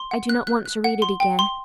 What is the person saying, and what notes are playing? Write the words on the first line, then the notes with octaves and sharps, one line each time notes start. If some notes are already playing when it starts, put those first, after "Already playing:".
I do not want to read it again.
Already playing: C6
F#5
F#6
F#6
F#6
F#5
C6
G5
C6